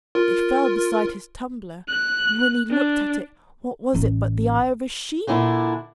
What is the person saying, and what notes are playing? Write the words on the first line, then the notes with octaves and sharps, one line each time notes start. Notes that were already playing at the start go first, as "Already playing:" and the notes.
It fell beside his tumbler, and when he looked at it what was it but the eye of a sheep.
F4 A#4
F#6
D4
A1 C#4
A#2 D3 D4 E4